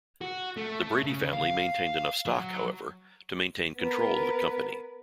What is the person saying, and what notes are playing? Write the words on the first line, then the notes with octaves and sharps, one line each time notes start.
The Brady family maintained enough stock, however, to maintain control of the company.
F#4
A3
A3
C#3
F5
F#3
B3 A#4 B4